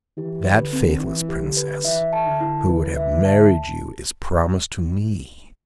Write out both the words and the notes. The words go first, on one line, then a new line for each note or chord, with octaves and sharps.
That faithless Princess who would have married you is promised to me.
E3 G4
B4
D3
C4
E3 E4
G4
D3
B4
E3 E5
A5
D3
E4
D3 B4
E5
D3
A5